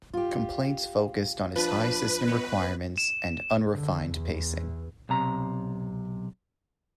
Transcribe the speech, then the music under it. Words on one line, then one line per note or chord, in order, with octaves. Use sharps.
Complaints focused on its high system requirements and unrefined pacing.
F4 G4
F3 D4 B4
B3 C#5 D#5
E7
D3
E2
B1 C3 A#5